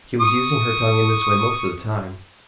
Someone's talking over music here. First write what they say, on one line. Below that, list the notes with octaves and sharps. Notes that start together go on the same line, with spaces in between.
She was using her tongue in this way most of the time.
C#6 D#6